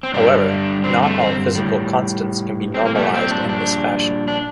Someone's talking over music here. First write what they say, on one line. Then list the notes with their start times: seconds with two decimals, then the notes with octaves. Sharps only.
However, not all physical constants can be normalized in this fashion.
0.03 C4
0.14 G2 D3 G3 D4
0.84 C4
1.02 A3
1.20 C4
1.55 A2 G3
2.74 C4
2.85 A#3
2.95 A#2 G3 A3
3.14 C4
3.31 D4
3.49 D4
4.28 D4